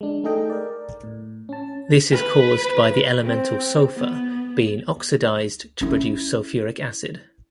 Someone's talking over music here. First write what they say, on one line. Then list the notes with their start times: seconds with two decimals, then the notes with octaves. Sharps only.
This is caused by the elemental sulfur being oxidized to produce sulfuric acid.
0.01 G#3 D4
0.24 A3 D#4 G#4 A4 D#5 G5
0.50 A#4 D5
1.04 A2
1.49 C#4 A5
2.12 B4
3.23 C4
3.95 B3
5.81 C#4 E4